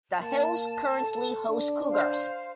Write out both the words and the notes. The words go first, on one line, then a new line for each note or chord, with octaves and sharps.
The hills currently host cougars.
A#3 A5
A4
D4
C5 F5